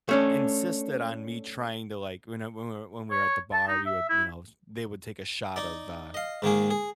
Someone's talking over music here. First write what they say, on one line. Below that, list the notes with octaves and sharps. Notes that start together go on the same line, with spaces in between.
insisted on me trying to, like, whene whe when we were at the bar, we would, you know they would take a shot of uh,
A3 C#4 D4
C#5
A5
D#4
E5
E4
D#4 D5
D#5 F5
G#2 D#3 A#3 G#4
G#4